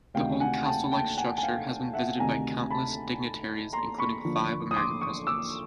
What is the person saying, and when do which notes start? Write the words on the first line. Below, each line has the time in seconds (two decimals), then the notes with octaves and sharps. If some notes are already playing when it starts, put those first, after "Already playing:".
The old castle-like structure has been visited by countless dignitaries including five American Presidents.
0.14 D2 C3 D#3 F5 G5
0.40 F#5 G#5
0.65 G5 A5
0.92 G5 A5
1.17 F#5 G#5
1.38 G#5
1.43 F5 G5
1.93 E5 F#5
2.19 D2 C3 D#3 G#5 A#5
2.70 A5 B5
3.73 A#5 C6
3.98 B5 C#6
4.25 D#2 D3 F3
4.71 D#6
4.76 C6 D6
5.01 C#6 D#6
5.27 D6 E6